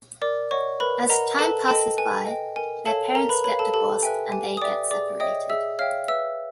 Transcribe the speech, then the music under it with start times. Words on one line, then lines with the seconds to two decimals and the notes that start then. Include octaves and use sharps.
As time passes by their parents get divorced and they get separated.
0.22 A#4 D5 D6
0.51 C#5 D#5 F#5 C#6
0.80 A#4 B4 B5
1.09 A#4 D#5 F#5 A#5
1.39 A4 B4 A5
1.68 A4 D#5 G5 A5
1.97 B4 G#5
2.27 D#5 G5
2.56 A#4 G#5
2.85 A4 C#5 F5 A5
3.15 A#4 A#5
3.29 B4 B5
3.44 B4 C#5 F5 B5
3.59 A4 A5
3.74 G4 A4 A5
4.03 B4 E5 G5 G#5
4.32 G4 G#5
4.57 D#6
4.61 B4 D5 E5 G5 D6
4.91 G#4 D5 D6
5.20 C#5 D#5 E5 G5 D#6
5.50 G#4 E5 E6
5.79 C#5 E5 F5 G5 F6
6.08 B4 E5 E6